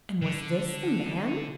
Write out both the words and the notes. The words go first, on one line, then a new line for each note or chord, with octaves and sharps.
And was this the man?
D3